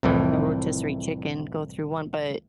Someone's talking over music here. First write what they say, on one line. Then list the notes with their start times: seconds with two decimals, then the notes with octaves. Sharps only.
A rotisserie chicken go through one, but
0.03 C2 F2 A2 E3